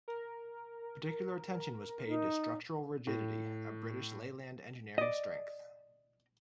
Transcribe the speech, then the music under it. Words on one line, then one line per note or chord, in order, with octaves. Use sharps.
Particular attention was paid to structural rigidity, a British Leyland engineering strength.
A#4
D#4
A2
D5 D#5